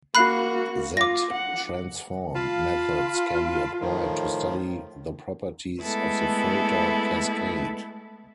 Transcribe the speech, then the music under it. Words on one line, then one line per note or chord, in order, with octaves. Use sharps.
Z-transform methods can be applied to study the properties of the filter cascade.
A#3 F#4 B5 F#6 C7
F4 D6 A#6
F#5
F4 F5 A5 B5
A2 D#3 F3
G#3 A3 B3 E4 A4